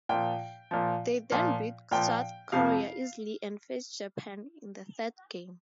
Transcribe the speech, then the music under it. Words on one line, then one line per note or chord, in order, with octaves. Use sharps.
They then beat South Korea easily and faced Japan in the third game.
A#2 F3 G5
A#2 F3
A#2 F3
A#2 F3 G5
F2 C3 F3 F5